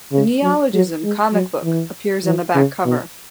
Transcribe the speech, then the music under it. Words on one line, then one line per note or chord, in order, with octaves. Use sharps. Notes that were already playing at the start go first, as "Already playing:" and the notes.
The neologism "comic book" appears on the back cover.
C#3
F#3
F#3
G#3
F#3
E3
E3
C#3
B2